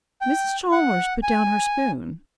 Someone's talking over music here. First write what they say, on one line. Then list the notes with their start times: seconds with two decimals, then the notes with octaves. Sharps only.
Mrs. Chalmers put down her spoon.
0.21 G5
0.72 F#5
1.23 G#5